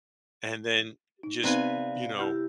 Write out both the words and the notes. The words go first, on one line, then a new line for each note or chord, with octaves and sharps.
and then just, you know,
D#4
C3 B3 C4 D#4 B4 D5 F5 G#5
E4 G4 F#5 F6